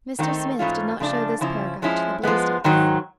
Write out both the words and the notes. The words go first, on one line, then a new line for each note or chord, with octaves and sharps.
Mr. Smith did not show this paragraph to the Blaisdells.
D#3 F#3 A3 C4 D#4
G#2 E3 A3 C#4 F4
C#3 F3 A3 D4
C#3 F3 C#4 E4
F3 G#3 C#4 E4
F3 G#3 B3
G#2 D#3 F#3